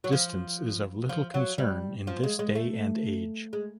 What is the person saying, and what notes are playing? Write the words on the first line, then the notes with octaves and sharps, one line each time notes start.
Distance is of little concern in this day and age.
F#3
F3
F3
F#3
G3
F3
G#3
G#3
A3
G#3